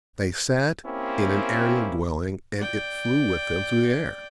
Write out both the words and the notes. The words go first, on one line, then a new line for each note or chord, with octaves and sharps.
They sat in an aerial dwelling, and it flew with them through the air.
A#3 C4 C#4 E4 G4
D5 G5